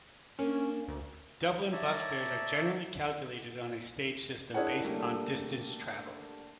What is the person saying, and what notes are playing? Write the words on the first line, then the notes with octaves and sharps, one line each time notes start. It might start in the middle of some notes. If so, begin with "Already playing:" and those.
Dublin Bus fares are generally calculated on a stage system based on distance travelled.
A#3 C#4 D4
D2
C#5 D5 E5 A5 A#5
D4 E4 G#4 A#4 C#5 F#5
D3 G3 A3 A#3